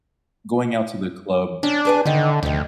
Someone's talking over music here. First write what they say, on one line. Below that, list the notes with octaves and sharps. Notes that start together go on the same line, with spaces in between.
Going out to the club
C#4 D4
G#4 B4 G#5
G#2 D3 D#3
D2 D#3 F3